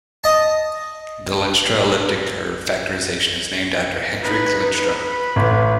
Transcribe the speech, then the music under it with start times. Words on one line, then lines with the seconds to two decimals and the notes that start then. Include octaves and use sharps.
The Lenstra elliptic curve factorization is named after Hendrik Lenstra.
0.24 D#5 A5
4.21 D#4 B4
5.02 B4
5.36 A1